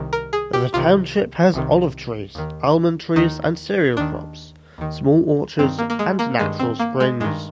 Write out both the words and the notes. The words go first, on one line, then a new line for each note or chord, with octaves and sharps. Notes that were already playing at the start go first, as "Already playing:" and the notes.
The township has olive trees, almond trees and cereal crops, small orchards, and natural springs.
Already playing: C2 C3 D#3
A#4
G#4
G4
C2 C3 D#3 F4
C2 C3 D#3
D#2 D#3
D#2 D#3 D#4
D#2 D#3 D4
D#2 D#3
G2 D#3 C4
A#3
A#3
G#3
A#3
G2 D#3 G#3
C4
A#3
G#3
G2 D#3 G#3